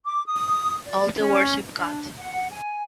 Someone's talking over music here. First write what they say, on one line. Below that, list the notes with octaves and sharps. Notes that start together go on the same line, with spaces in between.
All the words you've got.
D6
D#6
D5
C#4
D4
F#5
G#5